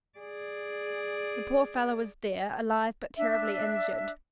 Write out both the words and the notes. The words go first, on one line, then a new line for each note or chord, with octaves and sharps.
The poor fellow was there, alive but terribly injured.
G#4 D5
D4 E5